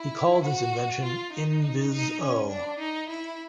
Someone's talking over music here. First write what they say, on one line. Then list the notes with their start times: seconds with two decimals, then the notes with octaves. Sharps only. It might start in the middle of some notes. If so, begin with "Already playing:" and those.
He called his invention "N-vis-o".
Already playing: E4
0.45 F#4
1.04 F4
1.33 D#4
1.62 D#4
1.92 D#4
2.21 C#4
2.50 D4
2.79 D#4
3.09 E4